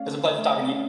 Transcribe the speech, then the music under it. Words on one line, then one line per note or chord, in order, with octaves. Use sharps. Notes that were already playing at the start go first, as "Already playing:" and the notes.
It's a pleasure talking to you
Already playing: A3 C#4 D5 F5
D3
A3 E5
D5
C#4